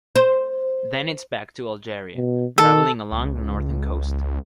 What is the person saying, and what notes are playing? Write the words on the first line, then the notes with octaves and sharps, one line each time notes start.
Then it's back to Algeria, travelling along the northern coast.
C5
B2
D#3 A4
C#2